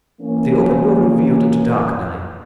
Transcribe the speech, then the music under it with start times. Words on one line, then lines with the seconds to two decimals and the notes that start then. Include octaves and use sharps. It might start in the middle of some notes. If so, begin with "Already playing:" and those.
The open door revealed the dark night.
0.21 E3 A#3 C#4